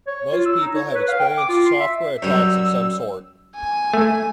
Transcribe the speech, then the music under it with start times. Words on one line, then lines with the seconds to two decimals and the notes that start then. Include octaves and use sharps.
Most people have experienced software attacks of some sort.
0.07 C#5
0.32 F4
0.46 E6
0.60 D#4
0.75 C#5
0.95 B4
1.08 F5
1.20 G5
1.38 D6
1.49 F4
1.66 C6
1.80 E5
2.22 F#2 G3 E6
3.56 G#5
3.94 A3